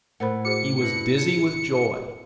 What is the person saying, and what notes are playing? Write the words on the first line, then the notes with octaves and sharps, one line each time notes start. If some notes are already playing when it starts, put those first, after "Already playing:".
He was dizzy with joy.
A2 A#4 C5 F#5 B5
F#4 G#4 C5 D6 C#7
D4 E4 B4